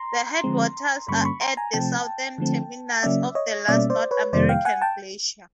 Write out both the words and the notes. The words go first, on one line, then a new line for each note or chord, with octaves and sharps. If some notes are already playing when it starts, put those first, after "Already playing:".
The headwaters are at the southern terminus of the last North American glacier.
Already playing: A#5 C6
D3 F3 G#3 C4
G2 D3 G3 A#3 C#4 B5 C#6
C6
B5 C#6
A#5 C6
G#5 A#5
C3 F3 A3 C4 G5 A5
D3 F3 A3 C4
C#3 F#3 A#3 C#4 D5 E5
C#5 D#5
B2 G3 A#3 C#4 D5 E5
C5 D5
B4 C#5
F2 C3 D#3 G3 A#3 C5 D5
F5 G5
F#5 G#5
G5 A5